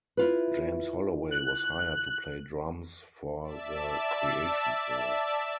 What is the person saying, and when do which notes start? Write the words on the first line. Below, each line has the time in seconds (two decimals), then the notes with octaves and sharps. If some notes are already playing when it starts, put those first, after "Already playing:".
James Holloway was hired to play drums for the Creation tour.
0.17 E4 F4 B4
1.31 F#6
3.44 D5 E5 A5 E6